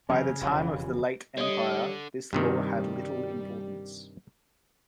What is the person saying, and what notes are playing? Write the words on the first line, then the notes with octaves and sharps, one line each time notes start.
By the time of the late empire, this law had little importance.
F#2 C#3 E3 C4 C#4
E1 F2 E3 C#4 F4 G4
D3 G3 C#5 D#5
G2 C3 D#3 G3